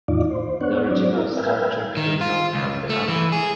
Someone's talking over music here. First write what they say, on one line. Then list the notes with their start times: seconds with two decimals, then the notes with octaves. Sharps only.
The original structure became known as the annex.
0.08 E2 A2 D#3 D#4 F4 D5
0.30 C5
0.61 B3 D4 C#5 F#5
0.91 F#3 C4 D5
1.16 E4 A#4
1.37 A#4 B4 E5 F5 G5 G#5
1.97 D#3
2.21 F4
2.55 C#2
2.89 A3
3.08 E3
3.32 G#4